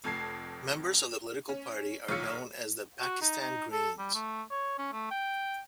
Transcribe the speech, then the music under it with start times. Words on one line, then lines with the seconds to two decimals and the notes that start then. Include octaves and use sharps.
Members of the political party are known as the "Pakistan Greens".
0.04 F1 F2 A5 G#6 C7
1.49 C#4
2.09 B1 D#3 F4 C#5 E6 C#7
3.01 F#4
3.21 D#4
3.41 D#4
3.72 A4
3.98 G3
4.14 A3
4.51 C#5
4.79 C#4
4.93 A3
5.11 G5